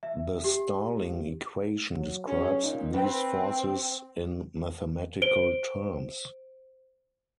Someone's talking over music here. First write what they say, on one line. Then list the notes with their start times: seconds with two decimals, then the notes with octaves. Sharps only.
The Starling equation describes these forces in mathematical terms.
0.03 E5
0.44 G4
1.97 F#3
2.27 F#3 C#4 G#4
2.62 A#2 D#4
2.94 C4 B4
5.22 C5 D7 G7